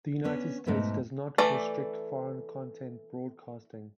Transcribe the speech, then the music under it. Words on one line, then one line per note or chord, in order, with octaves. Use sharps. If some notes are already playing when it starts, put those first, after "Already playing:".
The United States does not restrict foreign content broadcasting.
B3 C#4 D4
G#2 B2 A3 B3
E3 A3 D5